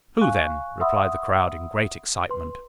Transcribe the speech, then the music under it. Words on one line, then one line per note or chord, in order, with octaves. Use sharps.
"Who, then?" replied the crowd in great excitement.
F5 G#5 C#6 F#6
E5 F#5 B5 C6 D#6 E6
B4 C6